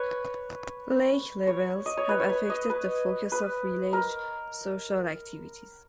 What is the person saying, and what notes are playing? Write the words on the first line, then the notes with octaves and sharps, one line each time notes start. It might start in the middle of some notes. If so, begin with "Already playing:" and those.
Lake levels have affected the focus of village social activities.
Already playing: B4 C#5
C#5
D#5
C#5
B4
C#5
B4
D#5
B4
B4
A#4